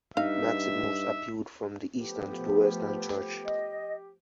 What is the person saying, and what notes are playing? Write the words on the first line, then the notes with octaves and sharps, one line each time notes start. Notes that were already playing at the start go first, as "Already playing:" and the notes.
Maximus appealed from the Eastern to the Western church.
G2 D#4 E5 F5
F3 A3 B3 G4
D#5